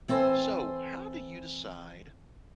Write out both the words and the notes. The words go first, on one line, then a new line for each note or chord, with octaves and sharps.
So, how do you decide
E3 C4 A4 C5 G#5